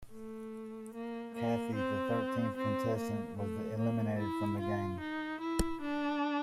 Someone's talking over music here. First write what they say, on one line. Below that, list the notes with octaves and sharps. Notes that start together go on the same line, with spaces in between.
Kathy, the thirteenth contestant, was then eliminated from the game.
A3
A#3
A#3
C4
C4
A#3
A3
A#3
E4
F4
D#4
E4
D4